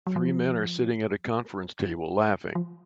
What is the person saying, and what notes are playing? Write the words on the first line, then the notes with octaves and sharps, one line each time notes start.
Three men are sitting at a conference table laughing.
F#3
F3
F3